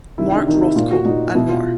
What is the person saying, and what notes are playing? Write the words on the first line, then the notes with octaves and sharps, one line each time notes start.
Mark Rothko, and more.
C3 D#3 E4
D4
C3 D#3 D#4
E4
A#2 F4
F#4
A#2 D#4
B2 E4
F4